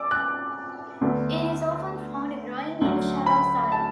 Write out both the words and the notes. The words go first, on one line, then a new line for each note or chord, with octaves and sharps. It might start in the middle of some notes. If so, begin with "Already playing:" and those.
It is often found growing in shallow soils.
Already playing: D5 D6 E6
F#6
D2 D3 B3
D2 D3 F#3
B5
A5